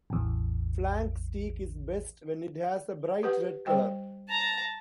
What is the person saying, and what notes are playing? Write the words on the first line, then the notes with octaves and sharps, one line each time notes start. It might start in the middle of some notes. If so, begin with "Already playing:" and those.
Flank steak is best when it has a bright red color.
A1 E2
G4 B4 F#5
G3 C5 G5
A5 A#5